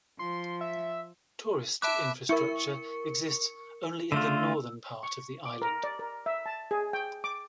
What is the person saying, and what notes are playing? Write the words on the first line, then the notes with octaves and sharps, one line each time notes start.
Tourist infrastructure exists only in the northern part of the island.
F3 C6
E5
E5 A5 B5 D6 F#6
E4 A#4 C#6 C#7
D3 A3 F4 E6
C#6
D6
A#4
D5
A#4
E5
A5
G#4
G5
D6